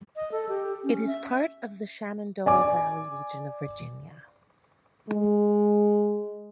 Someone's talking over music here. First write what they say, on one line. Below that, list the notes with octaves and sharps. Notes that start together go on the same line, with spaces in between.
It is part of the Shenandoah Valley region of Virginia.
D#5
A4
G4
C#4
E5
D5 G#5 D6
G#3